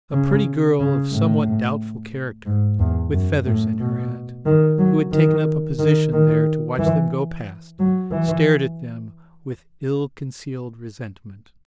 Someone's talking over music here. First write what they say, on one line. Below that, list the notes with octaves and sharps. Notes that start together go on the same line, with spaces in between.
A pretty girl of somewhat doubtful character, with feathers in her hat, who had taken up a position there to watch them go past, stared at them with ill-concealed resentment.
C#3
C#3
A2
G#2
E2
F#2
A2
B2
D#3
F#3
D#3
D#3
D#3
E3
F#3
E3